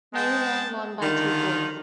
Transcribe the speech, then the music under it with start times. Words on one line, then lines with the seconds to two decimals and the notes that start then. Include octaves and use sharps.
Maryland won by two goals.
0.14 G#3 G5 A5
1.00 D3 D#3 F4